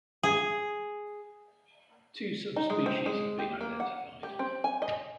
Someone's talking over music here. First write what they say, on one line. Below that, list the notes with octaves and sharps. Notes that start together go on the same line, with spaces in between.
Two subspecies have been identified.
G#4
D#4
G#3
C4
G#3
G4
A#3
F#5
G4
C4
G#5
D#5